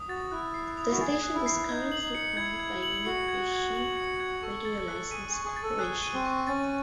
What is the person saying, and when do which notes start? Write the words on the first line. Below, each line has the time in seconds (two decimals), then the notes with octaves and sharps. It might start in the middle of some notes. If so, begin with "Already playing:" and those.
The station is currently owned by Univision Radio License Corporation.
Already playing: D#6
0.08 F#4 A6
0.31 E4 F#6
0.54 C7
0.77 D#6
0.91 F#4
1.00 G#4 A6
1.23 F#6
1.34 E4
1.46 C7
1.69 D#4 G#6
1.92 F#7
2.02 D#4
2.15 C#7
2.37 E4 G#6
2.60 G#6
2.83 F#7
3.05 F#4 C#7
3.28 G#6
3.52 G#6
3.75 F#7
3.97 C#7
4.20 G#6
4.42 A4 C#6
4.65 A6
4.88 F#6
5.11 G#4 D#7
5.29 G#4
5.34 C#6
5.45 G#4
5.56 A6
5.63 A4
5.79 G#4 F#6
6.02 D#7
6.14 C4
6.25 C#6
6.47 C#4 A6